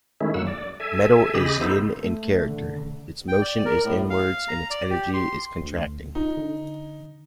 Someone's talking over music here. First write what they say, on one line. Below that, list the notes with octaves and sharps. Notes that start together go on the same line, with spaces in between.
Metal is yin in character, its motion is inwards and its energy is contracting.
D#3 G#3 A3 C#4 E4
F#2 F#3 A#3 F#5 E6
D5
A4 E5 G#5
C#3 G4 G#4 D#5 B5
B3 D#4 E4 A4 C5
A3
D3
G5
D5
A#4
A2
F5
A#5
D5
G4
C6
D2
D#4 F4
D3